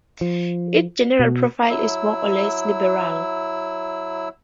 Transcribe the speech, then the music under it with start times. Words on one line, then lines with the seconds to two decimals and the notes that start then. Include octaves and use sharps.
Its general profile is more or less liberal.
0.21 F3
1.20 B2
1.70 F#3 E4 E6